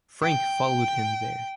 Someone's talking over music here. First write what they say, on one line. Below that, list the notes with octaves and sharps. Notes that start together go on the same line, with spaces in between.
Frank followed him there.
G5